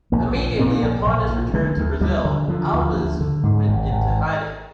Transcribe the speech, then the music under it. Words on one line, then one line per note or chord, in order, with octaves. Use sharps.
Immediately upon his return to Brazil, Alves went into hiding.
A#1 A#3
A#2
A#2 C4
A#1
A#1
A#2
D3 G#3
D2
D2 G3
D3
D3 F3
D2
D2
D3
G#2
G#1
G#1